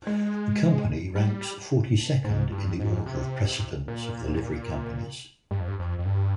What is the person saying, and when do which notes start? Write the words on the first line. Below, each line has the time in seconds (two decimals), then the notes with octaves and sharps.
The Company ranks forty-second in the order of precedence of the Livery Companies.
0.07 G#3
1.15 G3
2.24 G#2
2.52 G2
2.79 G#2
3.06 C3
3.88 A#2
5.51 G2
5.60 F2
5.68 G2
5.79 F2
5.98 F2
6.05 G2